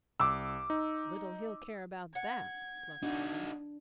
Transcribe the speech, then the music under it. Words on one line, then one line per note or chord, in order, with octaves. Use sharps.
"Little he'll care about that," Bluff told him.
C2 D6 E6
D#4
F#5 G#6
D4 D#4 F#4